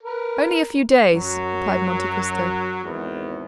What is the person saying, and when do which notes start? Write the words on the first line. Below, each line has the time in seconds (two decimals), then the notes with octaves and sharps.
"Only a few days," replied Monte Cristo.
0.03 A#4 B4
1.14 F#2 F#3
2.84 G#1 E2